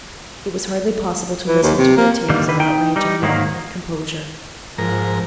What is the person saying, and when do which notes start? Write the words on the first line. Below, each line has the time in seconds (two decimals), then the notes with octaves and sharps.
It was hardly possible to listen to their tales of outrage and wrong with composure.
1.47 E3
1.62 D#2
1.78 C3
1.97 A#3
2.30 D3 D#3 G3 A#3
2.48 D3 D#3 B4
2.60 D#4 G5
2.96 G3 D#4
3.22 G#2 D#3 F#3 A#3
4.78 G#2 F3 A#4